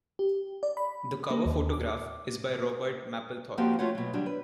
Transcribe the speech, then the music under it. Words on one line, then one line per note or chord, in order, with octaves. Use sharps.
The cover photograph is by Robert Mapplethorpe.
G4
D5
B5
A#3
D#2
D6
F3 A#3 C4 F#4 G4
A3 F4 F#4 C#5 F#5
B2 F#3
D3 F#3 G3 D4
B4